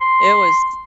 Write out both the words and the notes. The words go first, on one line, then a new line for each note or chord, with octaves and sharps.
it was
C6